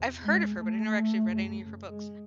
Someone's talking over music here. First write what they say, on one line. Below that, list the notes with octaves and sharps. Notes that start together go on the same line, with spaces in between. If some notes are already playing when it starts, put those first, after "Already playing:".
I've heard of her, but I never actually read any of her books,
Already playing: E2 C3
G#3
A3
F#2 C#3
G#3